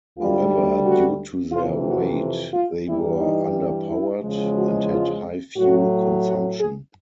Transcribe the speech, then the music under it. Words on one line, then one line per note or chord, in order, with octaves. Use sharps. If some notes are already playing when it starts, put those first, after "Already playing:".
However, due to their weight they were underpowered and had high fuel consumption.
D2 D3 G3 F4
F#4
F2 C3 E3 F4
F#4
F4
G2 E3 G3 E4
D#4
E4
E2 C#3 F3 G#3
F#4
F4
A2 F#3 F#4
F#4
G#4